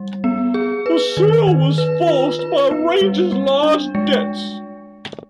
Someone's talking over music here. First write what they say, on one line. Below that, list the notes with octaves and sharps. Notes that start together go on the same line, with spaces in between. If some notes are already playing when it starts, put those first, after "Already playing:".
The sale was forced by Rangers' large debts.
Already playing: G3
B3
G#4
B4
D#3
D#3
B4
F4
B4
B3
G3
G3
D4
G#3